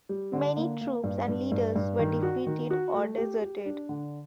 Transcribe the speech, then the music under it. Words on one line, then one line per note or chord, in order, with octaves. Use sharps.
Many troops and leaders were defeated or deserted.
G3
D3
A#3
A#3
G2
G2
G2
G2
D#3
F#4
D#3
F#4
A3
G4
G4
D4
D3